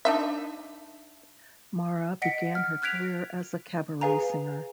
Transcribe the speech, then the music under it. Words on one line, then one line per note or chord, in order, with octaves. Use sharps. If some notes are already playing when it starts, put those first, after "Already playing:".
Maura began her career as a cabaret singer.
D4 D#4 E5
D#5 F#5 A#6 B6 C#7 D7
F6
F6 F#6 G#6 B6 D7 F7
G#4 B4 F5 G#5 A#5